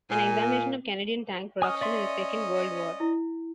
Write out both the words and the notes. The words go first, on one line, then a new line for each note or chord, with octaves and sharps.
An examination of Canadian tank production in the Second World War.
A#2 G#5
C#4 D#5 G#5 D#6 F6
D5 E5 C6
E4